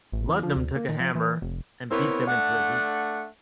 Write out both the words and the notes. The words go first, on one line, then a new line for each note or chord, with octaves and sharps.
Ludnam took a hammer and "beat them into a heap".
A1
E2
F3
D2
A#3
D#3
F3
E3
F1
B3 C4 E4 A#4 C#5
A3 D4 F#5